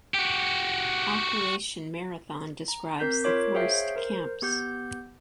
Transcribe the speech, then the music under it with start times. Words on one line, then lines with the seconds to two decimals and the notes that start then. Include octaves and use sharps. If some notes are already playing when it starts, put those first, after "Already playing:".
Operation Marathon describes the forest camps.
0.14 F#4 G4
2.68 A#5
2.99 C4 A#4 G6 B6
3.24 F4 A#4 C#5 D6
3.54 G#4 C5 C#5 E5 F5 G5
3.96 A#4 C5
4.42 B3 G4 G6